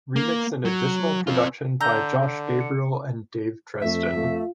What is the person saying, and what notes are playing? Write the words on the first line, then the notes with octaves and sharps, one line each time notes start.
Remix and additional production by Josh Gabriel and Dave Dresden.
A#3
F#3
C4 F4
D3 A#5 E6 G6 G7
D3
C#7
F2 A3 E5
A3 F4